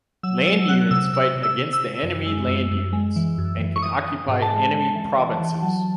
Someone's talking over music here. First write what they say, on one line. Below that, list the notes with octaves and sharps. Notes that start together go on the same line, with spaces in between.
Land units fight against enemy land units, and can occupy enemy provinces.
F#3 E6
F#3 E6
F#3 F#6
C3 E6
C3 E6
C3
E6
C3
E6
C3
F#2
G#3
F#2
F#2
G#3
E3
F#2
E3
C#6
E3 D#6
E3
G#2
A5
G#3
G#3
E3
E3
E3
F#3